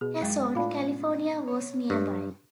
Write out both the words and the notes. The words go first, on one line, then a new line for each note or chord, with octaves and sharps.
Kasson, California was nearby.
B2 G#4
F#2 G#3 G5 A6
A2 B3 D4 F4 F5 B5
C#5
G2